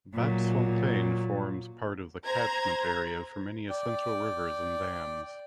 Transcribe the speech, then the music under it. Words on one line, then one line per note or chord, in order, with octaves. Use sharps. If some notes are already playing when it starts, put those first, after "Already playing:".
Bapsfontein forms part of the catchment area for many essential rivers and dams.
A#2 F#3
C5 A#5 G#6
D5 G5